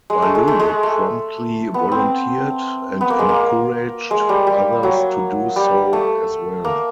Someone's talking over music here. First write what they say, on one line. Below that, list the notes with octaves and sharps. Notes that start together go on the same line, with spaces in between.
Ballou promptly volunteered, and encouraged others to do so as well.
G#3
A3
G#3
A3
G#3
A3
B3
C4
B3
A#3
G#3
A#3
G#3
G3
G3
F#3
G3
A3
A#3